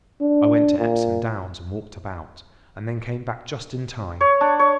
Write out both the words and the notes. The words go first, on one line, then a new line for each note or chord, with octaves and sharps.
I went to Epsom Downs and walked about, and then came back just in time.
D4
A#2
C#5
D4
C#5